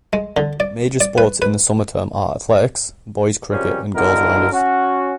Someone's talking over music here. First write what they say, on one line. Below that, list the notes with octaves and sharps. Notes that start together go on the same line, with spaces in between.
Major sports in the summer term are athletics, boys' cricket and girls' rounders.
G#3
D3
D5
D5
B4
B4
F#2 C3 F3 G3 G#3 C#4
B1 G2 B2 D3 E4 A#4
C#4 F#4